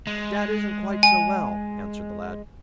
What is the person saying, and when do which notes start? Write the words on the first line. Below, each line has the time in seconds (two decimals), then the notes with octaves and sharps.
"Dad isn't quite so well," answered the lad.
0.07 G#3
1.03 G#5